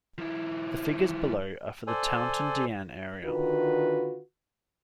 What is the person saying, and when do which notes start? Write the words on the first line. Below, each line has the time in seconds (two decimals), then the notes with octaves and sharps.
The figures below are for the Taunton Deane area.
0.18 F3 E4
1.87 A4 C5 D5 G#5
3.24 D3 D#3 F4 F#4 B4